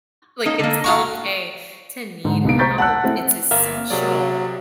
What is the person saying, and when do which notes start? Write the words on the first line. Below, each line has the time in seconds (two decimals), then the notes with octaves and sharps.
Like, it's okay to need help, it's essential.
0.45 A#3 D#4 C#5
0.59 D3 A#3
0.84 A2 F#4 F5 A#5 C#6
2.25 G#2 D3
2.45 C2 A#3 B3 D#4 D7
2.59 C5 A#5 C#6 G6 A6 B6
2.78 F#5 A5 E6 F#6
3.04 A3 C4 E4
3.51 G1 A#3 E5 F6
3.90 C3 F#3 G#4 D5